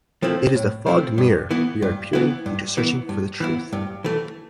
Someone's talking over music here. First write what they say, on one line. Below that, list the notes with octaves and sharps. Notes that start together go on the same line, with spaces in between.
It is the fogged mirror we are peering into searching for the truth.
F3 A3 C4 E4
A2
F3 A3 C4 E4
G2
E3 B3 E4
G2
E3 B3 E4
G2
E3 B3 E4
G2
E3 B3 E4
G2
E3 A3